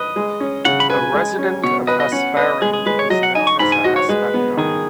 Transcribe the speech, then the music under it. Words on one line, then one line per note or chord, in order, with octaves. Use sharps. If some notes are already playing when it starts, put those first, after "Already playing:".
A resident of Hasparren is known as a 'Haspandar'.
Already playing: B4 D#5
G#3
C#4
C#3 F#5
B5
B4 G#5
G#3
C#4
B2 C#5
B4 D#5
D#5
C#4 F#5
B4 D#5
G#3 G#4
G#4
G#3 B4
C#5
F#3 D#5
F#5
D#4 G#5
C#6
G#2 B5
G#5
F#4 D#5
C#5
G#3 B4
B3
D#3 G#4